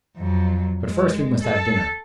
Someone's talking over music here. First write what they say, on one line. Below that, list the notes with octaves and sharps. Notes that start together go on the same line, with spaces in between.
But first we must have dinner.
F2 F#3
G#3
A4